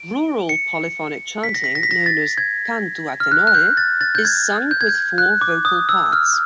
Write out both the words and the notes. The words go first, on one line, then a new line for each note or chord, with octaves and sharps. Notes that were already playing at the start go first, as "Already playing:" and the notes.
Rural polyphonic chanting known as "cantu a tenore" is sung with four vocal parts.
Already playing: D7
C#7
B6
A#6
B6
A#6
B6
A#6
A6
G#6
F6
F#6
F#6
G6
A6
A6
G6
G#6
G6
G#6
G6
F#6
D6
D#6
E6
F6